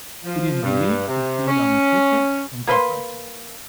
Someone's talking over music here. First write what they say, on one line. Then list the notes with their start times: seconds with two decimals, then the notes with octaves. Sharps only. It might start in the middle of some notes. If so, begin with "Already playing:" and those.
It is believed to feed on crickets and cockroaches.
0.24 F3
0.63 G2
1.08 C3
1.48 C#4
2.67 A#3 B4 D#5 C6